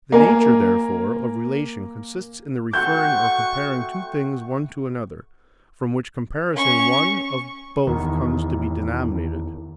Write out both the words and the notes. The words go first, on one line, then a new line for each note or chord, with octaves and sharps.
The nature therefore of relation consists in the referring or comparing two things one to another; from which comparison one of both comes to be denominated.
A#3 A#4 G#5
A3 C4 F#4 C#6 G6
C#4 C#6
E2 D#3